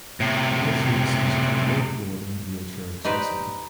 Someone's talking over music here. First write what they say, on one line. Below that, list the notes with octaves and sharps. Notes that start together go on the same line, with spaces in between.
All services are low floor and wheelchair accessible.
A2 C3
D#4 G4 B4 C5 D5